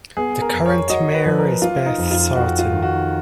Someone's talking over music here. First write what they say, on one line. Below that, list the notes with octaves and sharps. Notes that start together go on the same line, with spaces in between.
The current mayor is Beth Sartain.
B3 G#4
A#4
F2
C#5
F#4 D#5
B4
F3
A#4
A#3 F4
D#4
F2
F4
F2 F#4
F4
D#3
F#4